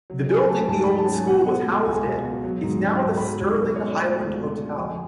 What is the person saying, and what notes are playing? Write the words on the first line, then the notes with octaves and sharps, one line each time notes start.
The building the old school was housed in is now the Stirling Highland Hotel.
F#3
C#4 G#5
A3 A5
G#5
G#2 A5
F#3 B5
A5
C#4
G#5
B2 F#5
B3
G#3
C#2 G#5
B2
B3
F#3
G#2
C#4
G#2 A5
F#3 B5
G#2 A4
B2 B4
C#5
C#4
D5
A3 D5
C#2
B2
C#4
F2 G#5